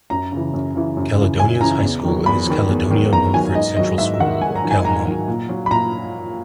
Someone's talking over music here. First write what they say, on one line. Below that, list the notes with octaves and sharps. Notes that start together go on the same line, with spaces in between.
Caledonia's high school is Caledonia-Mumford Central School, or Cal-Mum.
F#2 A#5
C#3 E3
F#2
C#3 E3
F#2
C#3 E3
F#2 G#5
C#3 E3 A#5
E2
D#3 F#3
E2 B5
D#3 F#3
E2
D#3 F#3
E2 A#5
D#3 F#3 G#5
G#2 D#5
D#3 F#3 D#5
G#2 E5
D#3 F#3 F#5
G#2 G#5
A#5
D#3 F#3
G#5
G#2 A#5
D#3 F#3
A#2
F#3
B5
A#2 A#5